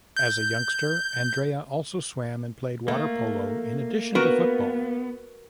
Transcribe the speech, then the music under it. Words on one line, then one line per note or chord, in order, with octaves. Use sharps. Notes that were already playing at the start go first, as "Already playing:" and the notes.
As a youngster, Andrea also swam and played water polo, in addition to football.
G6
A3 A#3
B3 F#4 A#4 B4